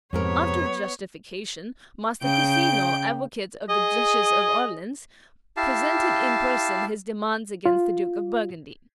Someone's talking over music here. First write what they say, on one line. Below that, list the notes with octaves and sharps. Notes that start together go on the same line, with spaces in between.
After the justification, Master Cousinot, advocate of the Duchess of Orleans, presented in person his demands against the Duke of Burgundy.
F2 G#2 C3 B3 A#4 C#5
C#3 G5 G6 D7
G#4 D#5
E4 G4 F5 A5
F4